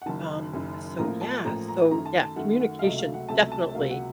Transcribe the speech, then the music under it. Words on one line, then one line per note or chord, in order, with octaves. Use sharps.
Um, so, yeah, so, yeah, communication definitely,
F#5
F#1 F#2 D#3 A5
F#1 F#2 D#3
A1 A2 F3 A#3 A#5
A5
A1 A2 F3 A#3 A#5
A#5
F#2 D#3 A3 A#5
A5
A5
F#2 D#3 A3 F#5
F#5
F5
C#2 C3 F#3 A3 D#5
F5
F#5
C#2 C3 F#3 A3 A5
A5
C#2 C3 F#3 A#3 F5
F#5